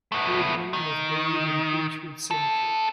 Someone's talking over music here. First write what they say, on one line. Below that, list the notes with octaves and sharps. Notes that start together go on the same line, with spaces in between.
Hurdman was buried in Beechwood Cemetery.
A3 B3
D#3
C4 A4